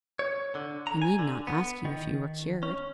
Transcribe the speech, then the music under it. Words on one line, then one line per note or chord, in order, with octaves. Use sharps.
I need not ask you if you were cured.
C#5
D3
A#5
G#5
D3
B3
D#3
C#4